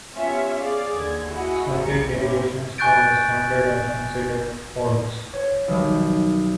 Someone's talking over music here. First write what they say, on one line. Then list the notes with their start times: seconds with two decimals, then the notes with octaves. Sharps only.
Certain deviations from the standard are considered "faults".
0.16 B3 C#4 F4 G4 C#5 E5
0.60 G#4 D5 F5
0.94 D#2 D3 G#6
1.28 E4 F#4 G#4 D#5 F#5
1.79 C2 G3 A#5 C#7
2.14 A#2 A#3 C4 C#4 E4 G4
2.78 G#5 C#6 F#6 G6 A6 D7
5.33 C#5
5.68 B1 D#3 G3